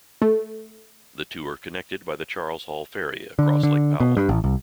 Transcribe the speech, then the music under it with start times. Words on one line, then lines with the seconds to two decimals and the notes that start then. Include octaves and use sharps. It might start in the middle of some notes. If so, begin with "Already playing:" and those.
The two are connected by the Charles Hall Ferry across Lake Powell.
0.22 A3
3.39 D3
3.63 D3
4.00 B2
4.17 G2
4.29 A1
4.44 C2